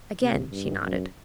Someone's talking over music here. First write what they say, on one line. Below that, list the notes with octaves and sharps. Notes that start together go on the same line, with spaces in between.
Again she nodded.
C3
G2
F#2